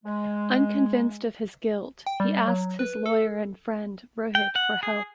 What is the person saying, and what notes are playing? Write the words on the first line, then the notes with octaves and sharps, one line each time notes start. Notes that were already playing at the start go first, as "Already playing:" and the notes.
Unconvinced of his guilt, he asks his lawyer and friend Rohit for help.
G#3
G5
G3
F#3
B4
A4
G5
F#5
G#4